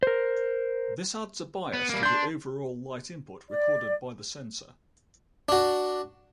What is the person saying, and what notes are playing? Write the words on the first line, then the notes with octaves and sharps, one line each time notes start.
This adds a bias to the overall light input recorded by the sensor.
A#4 C5
B3
G3 A#3
D4 C6 G6
D5
D4 F#4